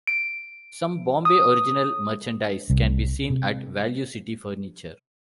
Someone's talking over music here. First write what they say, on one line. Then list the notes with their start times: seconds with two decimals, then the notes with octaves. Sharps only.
Some Bombay Original merchandise can be seen at Value City Furniture.
0.07 D7
1.25 D#6
2.70 C2
3.30 C3